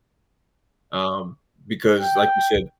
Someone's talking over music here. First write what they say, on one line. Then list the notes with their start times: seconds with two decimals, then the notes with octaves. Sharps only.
um, because like you said
2.00 G5